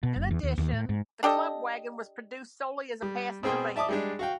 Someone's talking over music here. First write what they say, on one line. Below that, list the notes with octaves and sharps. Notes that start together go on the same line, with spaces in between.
In addition, the Club Wagon was produced solely as a passenger van.
B2
F#1
E2
D#2
D#2
A2
G#2
D4 G4 A4 D#5
G3
B2 C4 G#4 G5 C6
D5 E5 A5 D6 D#6
G3 G#3 D4
F#4 F5 G5